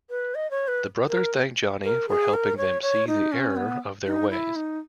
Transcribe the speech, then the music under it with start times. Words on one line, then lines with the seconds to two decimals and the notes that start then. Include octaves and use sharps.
The brothers thank Johnny for helping them see the error of their ways.
0.10 B4
0.35 D#5
0.51 C#5
0.68 B4
1.09 A#4
1.84 A#4
2.08 G#4
2.33 A#4
2.57 C#5
2.82 C#5
3.07 D#4
3.32 C#4
3.56 B3
4.06 D#4
4.30 E4
4.56 D#4